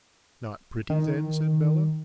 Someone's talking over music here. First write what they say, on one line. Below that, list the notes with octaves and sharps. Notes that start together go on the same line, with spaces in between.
'Not pretty then?' said Bella.
D#3